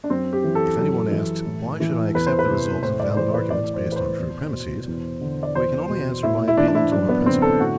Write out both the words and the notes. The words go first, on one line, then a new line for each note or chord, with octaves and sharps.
If any one asks: 'Why should I accept the results of valid arguments based on true premisses?' we can only answer by appealing to our principle.
D4
F#2 C4
G4
E3
A4
F#2
E3
A2
E3
E2 B4
C5
B4
C3
A2 C5
D5
E3 C5
B4
A2 D5
C5
E3
B4
C5
E2
B2
E2
D3
D5
E2 C5
B2
A2 E4
E4
E3 D4
D4
E4
F#2 D4
B3
D3 C4
A4
A2 F#4